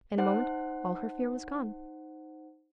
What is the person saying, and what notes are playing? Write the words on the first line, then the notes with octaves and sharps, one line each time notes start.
In a moment all her fear was gone.
D#4 C5 F#5